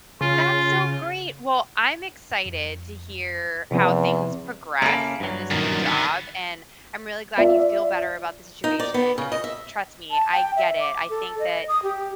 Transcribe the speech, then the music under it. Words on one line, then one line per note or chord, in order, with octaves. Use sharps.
That's so great. Well, I'm excited to hear how things progress in this new job, and I'm really glad you feel better about the situation, i it trust me, I get it. I think that
C#3 F4
F2
E2 C3 F3 C4
C#3 A#3 E4 A4
G2 F#3
F#2 A#2 D#3
D3 B3
F4 D5 E5
D#4
D5
B3
C#3
D#5
E5
A5
G5
E5
D6
A4
D#5
D#6
G4